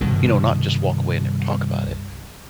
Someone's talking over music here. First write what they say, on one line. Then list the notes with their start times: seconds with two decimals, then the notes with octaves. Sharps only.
You know, not just walk away and never talk about it,
0.01 C2 G2 B2 D#3